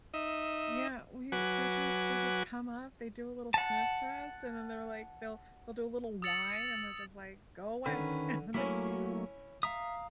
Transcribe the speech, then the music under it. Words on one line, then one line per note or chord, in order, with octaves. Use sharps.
Yeah, we they just they just come up, they do a little sniff test, and then they're like they'll they'll do a little whine and we're just like, "Go away," and then they do,
D#4 D#5 E5
F#3 F#4 B4 G#5 D6
F#5 A5
D#6 E6 A6 C#7 F#7
D3 D#3 C#4 B4
F#3 A3 A#3 C#4 E4 E5
E5 F5 A#5 D#6